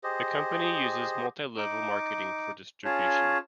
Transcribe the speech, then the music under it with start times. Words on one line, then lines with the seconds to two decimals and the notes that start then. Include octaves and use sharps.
The company uses multi-level marketing for distribution.
0.04 G4 G#4 C5 D#5
1.57 D#4 D6
2.85 C#4 F4 G#4 C#5 A5